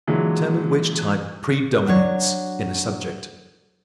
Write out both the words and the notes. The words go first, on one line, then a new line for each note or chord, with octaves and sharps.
Determine which type PREDOMINATES in a subject.
A#2 D3 E3 F#3 G#3
F#3 D4 C#5